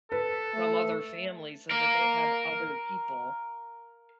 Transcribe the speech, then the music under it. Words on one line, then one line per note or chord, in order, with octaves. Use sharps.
some other family so that they have other people.
A4 B4
A3
A#4 F5